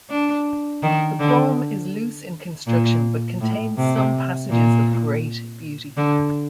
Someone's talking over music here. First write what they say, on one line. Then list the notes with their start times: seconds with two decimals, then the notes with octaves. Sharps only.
The poem is loose in construction but contains some passages of great beauty.
0.10 D4
0.83 D#3
1.20 D3
2.66 A#2
3.40 A2
3.77 C3
4.50 A#2
5.97 D3